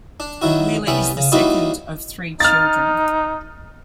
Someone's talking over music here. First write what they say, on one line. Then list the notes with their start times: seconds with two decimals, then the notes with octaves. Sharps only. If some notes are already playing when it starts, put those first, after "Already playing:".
Wheeler is the second of three children.
0.20 D4
0.42 D#3 F#3 E4 F#4
0.87 C2 G3 B3 C#4 E5
1.17 C#3
1.32 F#3 G3 A#3 D#4 E4 F#4
2.40 D#4 F6 A6